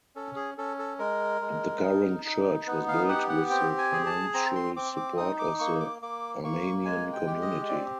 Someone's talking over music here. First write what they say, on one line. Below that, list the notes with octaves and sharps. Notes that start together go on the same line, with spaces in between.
The current church was built with the financial support of the Armenian community.
C#4 A4
G#4
C#4 A4
A4
G#3 A#4
G#3
D#4
D#4
B3 B4
F5
G4 F#5
F#5
C4 G5
G#5
G#4
A5
C4 A#5
C6
C4 D6
D6
D#4 D#6
D6
A#3 C#6
D6
A#3 D6
A#3 C#6
G#3 G#5
G5
G4
D#5
C4 D5